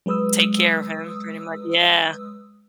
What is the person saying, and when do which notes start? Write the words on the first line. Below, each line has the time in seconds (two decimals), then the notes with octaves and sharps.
Take care of him pretty mu yeah.
0.06 F#3 G#3 B4 D#6 E6